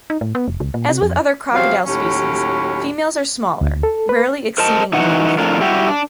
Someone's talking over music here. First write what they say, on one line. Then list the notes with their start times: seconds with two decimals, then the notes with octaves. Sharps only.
As with other crocodile species, females are smaller; rarely exceeding in length.
0.10 D#4
0.21 A2
0.35 B3
0.48 F1
0.60 C#2
0.74 A#2
0.89 C3
1.02 F2
1.53 E2 C3 F3 F#3 F5
1.86 D#2 A2 F#3 C#4 G4
3.61 D2
3.83 A4
4.09 B4
4.58 A#4 C5 D#5 A5
4.93 E3 D#4 F#4 B4 F#5
5.38 F2 A2 D4 F4 A#4
5.61 G3 E4 F#4 G4
5.88 D4